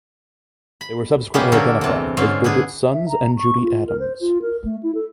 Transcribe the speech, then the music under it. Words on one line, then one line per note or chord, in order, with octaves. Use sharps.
They were subsequently identified as Bridget Sons and Judy Adams.
B5
G3 G#3 A#3 B3 C#4 G4
A#2 D3 F#3 C#4 A4 A#4
E2 C3
G#2 D3 G#3 C#4 F4 F5
D3 B3 D4 G#4
E5
A#5
C#6
F4
A#4
C5
F4
A#4
A3
E4
A4